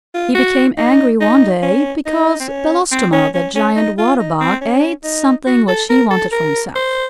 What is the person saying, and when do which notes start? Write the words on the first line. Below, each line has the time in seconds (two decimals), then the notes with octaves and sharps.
He became angry one day because Belostoma, the Giant Water-Bug, ate something which he wanted for himself.
0.15 F4
0.35 F#4
0.77 D#4
1.21 D#4
1.63 C#4
2.06 D#4
2.40 C4
2.48 C#4
2.92 C4
3.13 C#4
3.34 C#4
3.56 C#4
3.76 D#4
3.99 F4
4.20 D#4
4.41 C4
4.62 C#4
5.04 D#4
5.47 F#4
5.68 A4
5.90 A#4
6.11 A4
6.32 A#4
6.76 C5